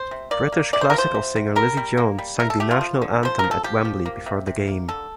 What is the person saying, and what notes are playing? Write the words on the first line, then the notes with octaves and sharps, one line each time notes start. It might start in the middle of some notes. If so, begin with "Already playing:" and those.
British classical singer Lizzie Jones sung The National Anthem at Wembley before the game.
Already playing: C5
C3
A#3 D5
A#3
C3 D5
C5
A#4
F3 C5
C3
C3
G3 A#4
G3
A#3
G3
A3 A#4
A4
A3 G4
F4
F3
D3
F3 C5
F3 A#4
A4
F3 G4
F3
A#3
C3
C3
A#3
D3 A4